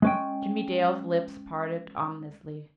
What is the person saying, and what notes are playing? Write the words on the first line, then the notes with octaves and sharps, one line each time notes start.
Jimmie Dale's lips parted ominously.
G#3 C#4 G5